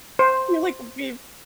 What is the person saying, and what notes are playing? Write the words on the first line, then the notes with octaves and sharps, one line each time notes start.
You're like we've
C5